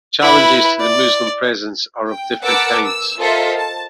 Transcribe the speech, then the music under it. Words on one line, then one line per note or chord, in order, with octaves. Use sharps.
Challenges to the Muslim presence are of different kinds.
E4 B4
D5
G5
A#4 B4 F#5 A5 D6 E6
E6
F4 A4 A#4 C5 D#5 E5
A5